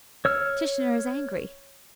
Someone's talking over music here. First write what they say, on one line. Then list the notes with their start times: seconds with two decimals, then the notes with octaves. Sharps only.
Tishnar is angry.
0.25 C#5 E6 F6